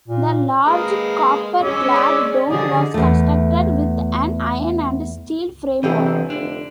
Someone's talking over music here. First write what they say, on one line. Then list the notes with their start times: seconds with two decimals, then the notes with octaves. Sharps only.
The large copper-clad dome was constructed with an iron and steel framework.
0.08 A#2
0.65 G#3 A#3 A#4 B4 D#5
1.62 G#3 C#4 D6 E6
1.96 D5
2.50 D3 F3 G4 G#4 D#5
2.94 E2 A3
5.83 G1 C3 E3 C4 G#4
6.30 F1 D3 D4